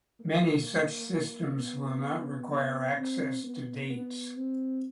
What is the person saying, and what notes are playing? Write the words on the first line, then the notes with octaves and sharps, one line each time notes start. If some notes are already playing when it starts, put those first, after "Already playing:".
Many such systems will not require access to dates.
A#3
B3
B3
C4
B3
B3
C4